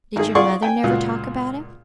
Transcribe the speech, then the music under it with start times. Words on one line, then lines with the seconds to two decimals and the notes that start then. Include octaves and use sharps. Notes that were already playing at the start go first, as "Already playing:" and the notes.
"Did your mother never talk about him?"
0.16 G#1 G#4
0.35 F4 G#4 D5 F#5 C6 C#6
0.62 G5 G#5
0.83 C#2 A#2 F4 F#4